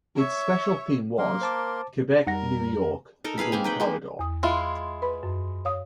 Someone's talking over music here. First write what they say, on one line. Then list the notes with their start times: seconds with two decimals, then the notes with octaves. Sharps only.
Its special theme was: "Quebec-New York: The Green Corridor".
0.16 C#5 E5
1.18 F#3 A#3 A#4 C6
1.41 C5 A5 D6
2.27 F2 G3 D#4 A#4 F#5 A#6
3.24 D#4 A4 A#4
3.38 G#4 B4 F5 B5
3.52 A#3 C4 G#5
3.64 D#4 B4 G5
3.80 G#3 A#3 B4
4.19 E2 D#6
4.43 G#3 E4 F4
5.02 B4 B5
5.23 F#2
5.65 C#5 F5 D#6